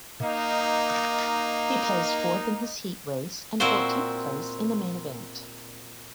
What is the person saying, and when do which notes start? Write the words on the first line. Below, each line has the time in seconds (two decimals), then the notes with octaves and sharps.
He placed fourth in his heat race and fourteenth place in the main event.
0.22 A#3 D#4
3.60 A#2 C4 E4 F#4 C5